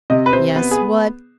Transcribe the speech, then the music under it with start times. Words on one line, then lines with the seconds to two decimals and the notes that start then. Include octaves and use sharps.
"Yes, what?"
0.10 C3 D#5
0.26 B4
0.33 C3 C5
0.56 B3 B4
0.71 G#4